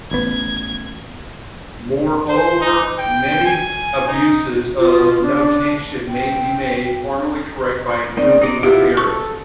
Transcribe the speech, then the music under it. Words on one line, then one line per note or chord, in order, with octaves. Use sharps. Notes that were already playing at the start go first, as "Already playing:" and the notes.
Moreover, many abuses of notation may be made formally correct by improving the theory.
A1 B3 G#6
C5
D#4
G5
G#5
D#4
F4
D4
G5
A#3 C4 D4 D#4 F#4 A#4
G#3 C4 D#4 G#4 D5
B3 E4 F4 G4
A4 C#6